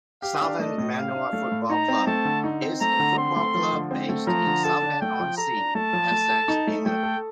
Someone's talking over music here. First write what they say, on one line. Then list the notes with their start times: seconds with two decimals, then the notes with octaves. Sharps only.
Southend Manor Football Club is a football club based in Southend-on-Sea, Essex, England.
0.22 G4 F5
0.41 D4
0.59 A3 D#5
0.78 A2
0.97 G4 F5
1.15 D4
1.33 A3
1.52 A2
1.70 D#4 A#5
1.88 C4
2.07 A3 A5
2.25 D3
2.44 D#4
2.62 C4
2.81 A3 A#5
2.99 D3
3.18 C4 C6
3.36 A3
3.54 F3
3.73 D3
3.91 C4
4.09 A3
4.27 F3 A#5
4.46 D3
4.64 A4 A5
4.82 D4
5.01 A3 G5
5.20 F3
5.38 A4 A#5
5.57 D4
5.75 A3 A5
5.93 F3
6.11 A3
6.30 A4
6.48 D#4
6.67 A3
6.85 A3 G5
7.03 A4